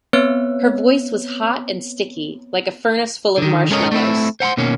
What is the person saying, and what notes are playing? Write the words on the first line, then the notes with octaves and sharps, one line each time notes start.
Her voice was hot and sticky--like a furnace full of marshmallows.
B3 C4 B4 C#5 F#6
D3 D#3
G#3 C#4 A4 A#4 C#5 D#5
A3 C4 E4
C5 F#5 A#5 C6
B2 D#3 A#3 C#4